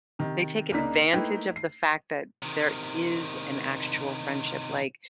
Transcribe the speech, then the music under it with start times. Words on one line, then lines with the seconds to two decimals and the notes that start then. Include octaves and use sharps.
they take advantage of the fact that there is an actual friendship, like,
0.19 C3 D#3
0.71 C#2 A#3 D4 D#4 B6
1.13 A3 A#3 D#4 E4 B4 G5
1.56 C7
2.43 C3 D#3